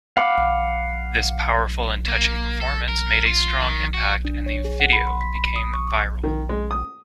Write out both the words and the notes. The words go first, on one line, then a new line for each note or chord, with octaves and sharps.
This powerful and touching performance made a strong impact and the video became viral.
F5 F#5 B5 D6
A#3
A4
A#4
F4
D#3
F#4
D4
C#5
G#4
F#5
B5
C6
B6
B5
D#6
C#6
D6
D#3
G#3
D#6